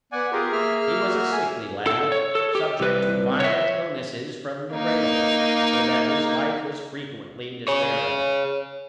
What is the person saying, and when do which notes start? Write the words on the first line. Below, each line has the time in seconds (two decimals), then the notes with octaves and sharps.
He was a sickly lad, subject to violent illnesses from the cradle, so that his life was frequently despaired of.
0.12 B3 D5 F#5 G#5
0.32 F4 G4 G#4 A#4
0.52 A#3 E5 F6
1.00 F#4
1.32 G#5
1.87 A4
2.12 C#5
2.35 A4
2.55 G4
2.80 C2 B4
3.40 C#5 E5
4.74 A#3 D#4
7.68 G#4 C#5